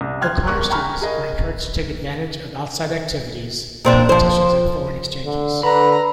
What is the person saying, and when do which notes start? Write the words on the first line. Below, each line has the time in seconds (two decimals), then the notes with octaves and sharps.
O'Connor students are encouraged to take advantage of outside activities, competitions and foreign exchanges.
0.01 C2
0.21 G5 C6 F6 F#6 G#6
0.47 E2 A#4 C#6 F#6
0.70 G5 G#5 A#5 B5 C#6 F6
1.02 G#4 A#4 D#5
3.85 A#2 C4 D4
4.09 F3 C5
5.25 D3
5.63 D3 B4 A#5 B5